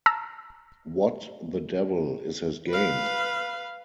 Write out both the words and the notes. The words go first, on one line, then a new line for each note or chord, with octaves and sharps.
What the devil is his game?
A5 A#5 E6
B4 F5